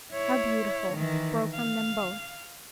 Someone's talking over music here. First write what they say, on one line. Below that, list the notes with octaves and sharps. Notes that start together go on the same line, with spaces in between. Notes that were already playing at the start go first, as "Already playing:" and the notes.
'How beautiful!' broke from them both.
E4 C#5
D#3 E3
F5